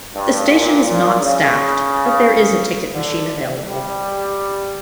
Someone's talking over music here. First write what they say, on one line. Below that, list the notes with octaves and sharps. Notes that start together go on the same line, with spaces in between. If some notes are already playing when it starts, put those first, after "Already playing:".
The station is not staffed, but there is a ticket machine available.
G2
A#2
A#2
C#3
D3
G3